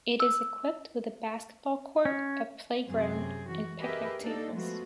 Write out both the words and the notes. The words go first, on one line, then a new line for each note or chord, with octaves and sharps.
It is equipped with a basketball court, a playground, and picnic tables.
E6
C#4
F#2 C3 C4 G#4
E3 F#4
G4 G#4 A#4 B4 D#5 E5
A#3 D4 D#4 A4
F3 G#3 A3 B3 F#4